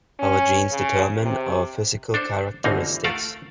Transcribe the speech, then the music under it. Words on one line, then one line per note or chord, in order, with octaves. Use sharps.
Our genes determine our physical characteristics.
C#4
C#3
C3
D4 A4 C5
G1 D2 B2 A#3 C4 D#4
A3 F4 A4 A#4 F5 F#5